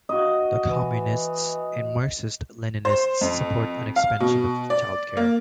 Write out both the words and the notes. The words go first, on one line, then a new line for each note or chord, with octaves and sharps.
The Communists and Marxist-Leninists support an expansion of child care.
F#4 D#5
E3
C5
F2
F5
B2
D5
A#3